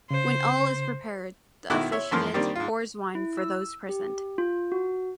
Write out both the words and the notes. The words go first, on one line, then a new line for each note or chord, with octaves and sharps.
When all is prepared, the officiant pours wine for those present.
C#3 C5
B1 D#3 E4 F#4 D6 F#6
C#5 E5
F#2 E3 F3 A#3 C6 F6
D#3 G3 A#3 C4 D4 G4
G#2 F4
E4
E6
G4
F4
F#4